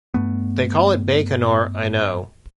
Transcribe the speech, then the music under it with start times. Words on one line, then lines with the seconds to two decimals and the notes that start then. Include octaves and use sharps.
They call it Baykonur, I know.
0.14 G2 A3 B3